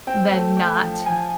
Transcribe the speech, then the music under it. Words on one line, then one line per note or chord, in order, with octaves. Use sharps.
than not,
C4 G5
A3
A3 G5
F3
F3 G#5